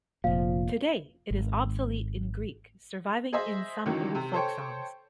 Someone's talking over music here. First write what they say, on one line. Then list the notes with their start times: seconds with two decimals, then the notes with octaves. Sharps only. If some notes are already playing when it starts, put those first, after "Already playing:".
Today it is obsolete in Greek, surviving in some old folk songs.
0.24 F1 A#2 F3 F5
1.31 G#1
3.33 G#4 C5 D#5 E5
3.86 C#2 D#3 E3 F#3
4.15 C3
4.33 A4 C5 C#5 G5